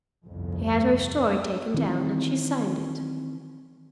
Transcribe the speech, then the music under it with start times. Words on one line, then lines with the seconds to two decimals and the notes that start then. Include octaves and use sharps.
He had her story taken down, and she signed it.
0.25 G1 C2 F2
1.74 D#3 E3 C4